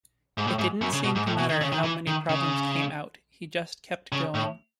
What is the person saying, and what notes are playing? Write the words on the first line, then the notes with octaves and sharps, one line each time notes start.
It didn't seem to matter how many problems came out, he just kept going.
G#2
A2
G#2
F#2
C#3
B2
G#2
A2
B2
D#3
C#3
D#3
E3
D#3
C#3
C#3
A2